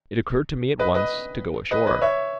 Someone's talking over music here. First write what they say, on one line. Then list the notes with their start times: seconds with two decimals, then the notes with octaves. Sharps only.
It occurred to me at once to go ashore.
0.79 B4 D#5
0.95 B4 D#5
1.71 B4 D#5
1.86 B4 D#5
2.02 C#5 E5